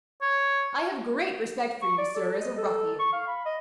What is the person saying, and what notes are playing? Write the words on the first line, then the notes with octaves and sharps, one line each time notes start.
I have great respect for you, sir, as a ruffian.
C#5
C#6
D5
A4
D#5
A4
C#6
F5
B5
D#5